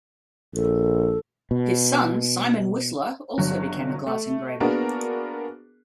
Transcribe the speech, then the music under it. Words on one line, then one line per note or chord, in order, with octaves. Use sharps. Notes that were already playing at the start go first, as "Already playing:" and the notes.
His son, Simon Whistler, also became a glass engraver.
A#1 A4
B2
G1 F#3
A3
A#3 B3 D4 F#4 G#4 A#4